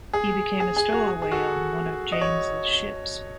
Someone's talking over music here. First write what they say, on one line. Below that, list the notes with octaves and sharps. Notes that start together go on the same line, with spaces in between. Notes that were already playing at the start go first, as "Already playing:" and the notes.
He became a stowaway on one of James's ships.
G#4
G#4
G#4
F#4
G#4
G#4
F#4 A4
D#5
C#5